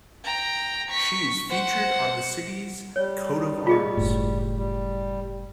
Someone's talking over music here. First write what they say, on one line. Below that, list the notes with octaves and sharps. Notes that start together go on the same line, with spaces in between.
She is featured on the city's coat of arms.
G5 A#5
C#6 B6
C5 F#5
G3 C#5
F4 G#4 D#5
F#1 A2
G3